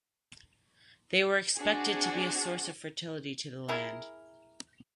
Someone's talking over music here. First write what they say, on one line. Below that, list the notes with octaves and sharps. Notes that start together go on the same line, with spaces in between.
They were expected to be a source of fertility to the land.
C4 D4 F#4 G#4
E4 G#4 A#4